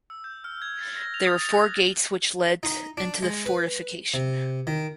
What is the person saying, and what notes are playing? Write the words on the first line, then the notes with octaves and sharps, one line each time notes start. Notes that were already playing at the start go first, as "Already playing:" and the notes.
There were four gates which led into the fortification.
E6
G6
F6
G#6
A6
A#6
F7
D#6
A6
F#6
D#4
D4
G#3
B4
C3
D#3